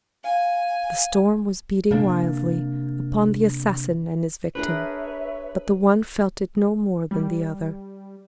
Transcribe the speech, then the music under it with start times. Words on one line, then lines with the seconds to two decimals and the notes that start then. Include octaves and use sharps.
The storm was beating wildly upon the assassin and his victim; but the one felt it no more than the other.
0.24 F5 G#5
1.91 C3 A#3 D4
4.55 D4 G#4 A#4 B4 C#5 E5
7.11 G3